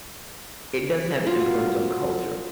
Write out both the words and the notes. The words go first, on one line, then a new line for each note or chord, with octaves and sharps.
It doesn't have an influence on culture,
F4 F#4